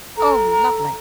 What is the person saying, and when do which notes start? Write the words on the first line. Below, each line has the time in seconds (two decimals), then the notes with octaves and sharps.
Oh, lovely.
0.17 A4 A#5